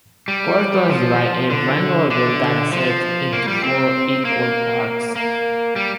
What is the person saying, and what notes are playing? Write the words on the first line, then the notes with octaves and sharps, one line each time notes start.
Quartiles divide a rank-ordered data set into four equal parts.
G3
F3
D3
D3
F3
A#3
G3
C4
A#3
A#3
G3